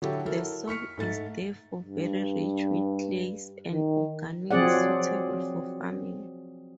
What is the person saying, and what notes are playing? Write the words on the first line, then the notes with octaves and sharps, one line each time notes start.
The soil is, therefore, very rich with clays and organics, suitable for farming.
D3 F#3 E4 F#4 G4 A4
F#3 E4 A4 A#4
C#6 F6 B6 C#7
G#2 A3 A6
G2
D#3
F3 F#3 C4 G#4 D5 F#5